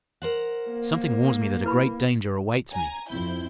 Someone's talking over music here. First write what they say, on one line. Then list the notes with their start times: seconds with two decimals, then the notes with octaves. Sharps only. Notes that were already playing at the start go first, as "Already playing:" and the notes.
"Something warns me that a great danger awaits me."
0.22 A#4 C5 F#5
0.70 A#3
1.64 E4 B4 B5
2.71 G#5 A#5
3.09 F2 C4 E4 G6